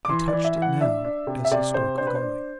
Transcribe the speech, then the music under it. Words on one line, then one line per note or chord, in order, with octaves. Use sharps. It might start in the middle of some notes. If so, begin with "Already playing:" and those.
He touched it now as he spoke of going.
D6
E3 C6
E3 D5
E5
E3
F#5
D4 E5
D4
C3
E5
C3 D5
C3 C5
D4 C5
B4
C5
D4